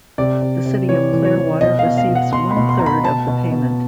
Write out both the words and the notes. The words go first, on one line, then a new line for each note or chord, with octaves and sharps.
The City of Clearwater receives one-third of the payment.
C3 D5
C3
C3
E3 C#5
E3
C#5
E3
B2 D#5
F5
B2
F5
B2
F#5
B2 C6
B5
B2
C6
B2 A#5
B5
B2 A5
B2
B2